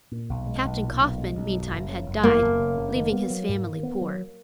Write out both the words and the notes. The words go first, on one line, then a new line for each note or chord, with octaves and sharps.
Captain Coffin meantime had died, leaving his family poor.
A#2
B1
G#3
B1
A#2
B1
G#3
B1
F#2
F#1
C#3
F#1
F#2 A#3
F#1
C#3
F#1
D#3
B3
F#3
G#2
D#3
B3
F#3